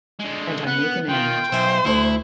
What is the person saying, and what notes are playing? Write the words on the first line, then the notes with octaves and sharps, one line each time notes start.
And I make an end.
D3 G#3
B3 F#5
D#3 F4 G5
B1 C5 E5 G#5
D2 A3 E4